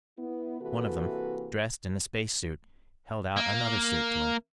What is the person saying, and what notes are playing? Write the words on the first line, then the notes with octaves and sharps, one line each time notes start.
One of them, dressed in a spacesuit, held out another suit to him.
B3 E4
C3 E3 A#3 F#4 A4 B4
A#3